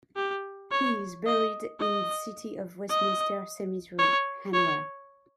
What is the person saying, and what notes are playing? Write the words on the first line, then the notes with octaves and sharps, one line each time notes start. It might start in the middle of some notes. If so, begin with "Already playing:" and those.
He is buried in City of Westminster Cemetery, Hanwell.
G4
C#5
D#5
D#5
D#5
C#5
C#5